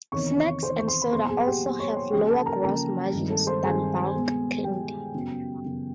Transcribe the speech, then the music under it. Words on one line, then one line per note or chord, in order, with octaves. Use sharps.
Snacks and soda also have lower gross margins than bulk candy.
E2 C3 D#3 C#5 C#6
E2 C3 D#3 C5 C6
C#6
C5 C6
B5
A#2 F#3 B3 C5 C6
G#4 G#5
F#5
G4 G5
A#2 F#3 B3
C#5 C#6
C5 C6
C#3 F3 A#3 G4 G5
A4 A5
A#4 A#5
C#3 F3 A#3 A#4 A#5
G2 D#3 G#3 C4
A4 A5
C5 C6
G2 D#3 G#3 C4 G#4 G#5
B2 G#3 B3
B2 G#3 B3 G4 G5
F#2 C#3 F#3 B3
F#2 C#3 F#3 B3